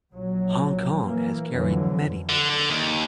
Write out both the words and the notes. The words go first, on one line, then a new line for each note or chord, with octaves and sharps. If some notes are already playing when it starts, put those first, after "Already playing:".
Hong Kong has carried many nicknames.
A#1 F#3
E3 A#3
F2 D3 E3 F#3
D3
D3
D#2